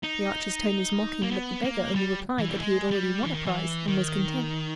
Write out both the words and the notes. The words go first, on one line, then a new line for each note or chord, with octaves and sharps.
The archer's tone was mocking; but the beggar only replied that he had already won a prize and was content.
D#4
A#3
B3
A#3
G3
E3
G3
G#3
G3
E3
D#3
E3
D#3